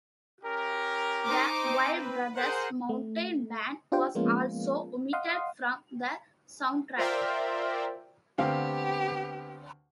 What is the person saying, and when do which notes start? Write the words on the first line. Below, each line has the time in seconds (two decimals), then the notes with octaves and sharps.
"The Vile Brothers Mountain Band" was also omitted from the soundtrack.
0.44 C#4 G4 A#4
1.25 D#4 C5 D6
1.63 C4
1.98 B4
2.36 G#4 A#4 C5 F#5
2.89 A3
3.92 D4 F4 G4 C5 G5
4.15 F3 G#3 A#3 B3 C#4 F4
5.13 D#5 F5 F#5 C6 D#6
6.96 F4 A#4 C5 D5 E5 G5
8.38 D2 B3 C4 G4 F5